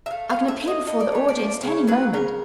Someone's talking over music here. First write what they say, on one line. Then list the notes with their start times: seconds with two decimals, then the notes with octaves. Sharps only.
I can appear before the audience at any moment.
0.06 E5
0.11 A3 F5
0.30 F5
0.36 A2
0.48 E5
0.61 A2
0.67 D#5
0.87 A2 D#5
1.01 D5
1.12 A3 C#5
1.29 D5
1.37 F3
1.62 C#3 C#5
1.87 F#3 B4
2.13 C#3 A#4